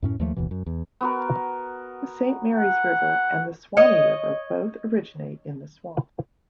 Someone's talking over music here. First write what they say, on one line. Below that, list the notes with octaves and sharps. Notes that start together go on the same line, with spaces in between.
The Saint Marys River and the Suwannee River both originate in the swamp.
F#2 A2 C#4
D#2 F3 A3 A#3
F#1 D#2 B2 E3
F#2
E2
B3 F#4 A#4
F#5
C#5 D#5